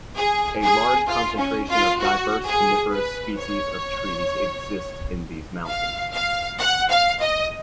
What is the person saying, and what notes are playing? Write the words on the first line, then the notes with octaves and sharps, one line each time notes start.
A large concentration of diverse coniferous species of trees exists in these mountains.
G#4
G#4
F4
C#4
F4
F#4
G#4
B4
C#5
F5
F5
F#5
F5
D#5